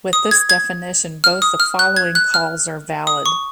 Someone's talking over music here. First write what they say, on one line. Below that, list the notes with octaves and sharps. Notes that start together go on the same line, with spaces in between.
With this definition, both the following calls are valid.
D#6
G#6
G#6
F6
D#6
F6
F#6
G#6
F#6
F6
D#6
C#6